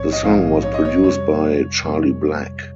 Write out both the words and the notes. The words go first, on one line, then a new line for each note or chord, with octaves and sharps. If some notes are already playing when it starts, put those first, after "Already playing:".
The song was produced by Charlie Black.
Already playing: A#1 G#2 F3 C4 C#5
D#5
A#1 G#2 F3 C4 D#4 F5
C#5
D#5
C#5
F2 C3 G3 C#5
F2 C3 G3